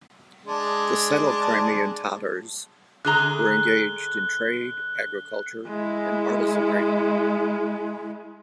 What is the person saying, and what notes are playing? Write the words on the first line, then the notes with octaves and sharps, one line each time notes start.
The settled Crimean Tatars were engaged in trade, agriculture, and artisanry.
G#3 D4
D3 G#4 A#5 F#6 G7
G#3 E4